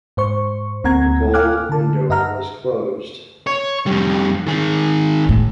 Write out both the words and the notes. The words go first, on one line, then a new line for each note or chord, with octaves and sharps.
The "gold window" was closed.
G#2 C5 C#6
D2 A#3 C4 F#5 A#5 G#6
F5 G5 G#5 D6 F6 F#6
D3 A5
G2 D#5 E5 F#5 A#5 F6
C#5
F2 G3
D#3 G#4
A2